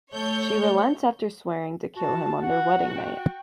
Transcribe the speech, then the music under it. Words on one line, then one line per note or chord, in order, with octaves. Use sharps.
She relents after swearing to kill him on their wedding night.
A3 C#5 G6
F#4 A5
F#4 F#5
G5